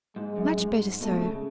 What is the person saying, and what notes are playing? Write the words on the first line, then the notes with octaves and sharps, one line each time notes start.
'Much better so.
G#2 G#3
F#2
G#2
B2 A3
C#3